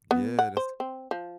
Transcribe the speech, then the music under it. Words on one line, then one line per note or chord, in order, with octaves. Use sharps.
Yeah, that's t
B3
F#5
C5
C4
F3